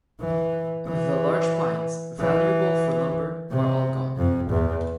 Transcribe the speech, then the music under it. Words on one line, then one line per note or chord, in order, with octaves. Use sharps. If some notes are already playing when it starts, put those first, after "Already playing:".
The large pines, valuable for lumber, are all gone.
E3
E3
E3
C3
F2
E2